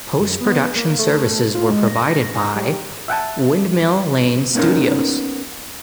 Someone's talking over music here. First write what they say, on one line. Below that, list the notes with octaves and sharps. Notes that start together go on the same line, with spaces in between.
Postproduction services were provided by Windmill Lane Studios.
F#2
B3
A#3
A3
F4
G#3
A#6
G3
E5 F#5 G5 A5
A#3 B3 C#4 D#4 A#4